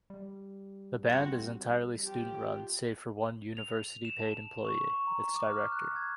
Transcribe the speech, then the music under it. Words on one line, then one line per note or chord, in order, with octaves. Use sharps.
The Band is entirely student-run, save for one University-paid employee, its Director.
G3
C4 F#4
F3 F4 G4
F7
E7
A5
C#6
C#6
A#5
D6
F6
F#6
G#6